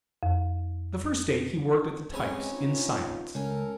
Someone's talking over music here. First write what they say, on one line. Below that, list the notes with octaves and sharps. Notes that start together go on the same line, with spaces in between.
The first day he worked at the types in silence.
F2
C3 G#3 C#4 B4 G#5
B3 D#4 F4
C#2 C#4 A4 A#4